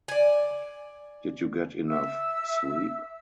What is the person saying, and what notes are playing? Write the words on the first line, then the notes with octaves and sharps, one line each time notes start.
Did you get enough sleep?
D5 G#5
E5 E6